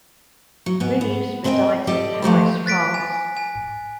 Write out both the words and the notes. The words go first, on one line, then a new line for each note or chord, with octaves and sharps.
Reeves resides in Paris, France.
F#3
G#2 B3
B3
G#3 C4 A#4 C5 D#5 G5
G4 A4 D5 D#5 G5
F3 A3 G4 C5
F#6 A6 B6 D7
G#5
G#5